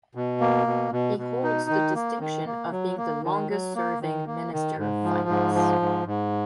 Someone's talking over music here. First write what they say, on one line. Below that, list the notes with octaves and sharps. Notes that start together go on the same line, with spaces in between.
He holds the distinction of being the longest serving Minister of Finance.
B2
A#3
B2
B2
B2
D#4
D#3
A#3
D#3
A#3
F#3
A#3
D#3
F#3
A#3
D#3
A#3
D#3
G#2
F3
G#2
F3
G#2
G#2